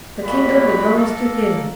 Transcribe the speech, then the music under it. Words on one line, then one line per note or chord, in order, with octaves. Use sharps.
"The kingdom belongs to him."
A#2 G3 G#3 F#4 B5
A#3 A4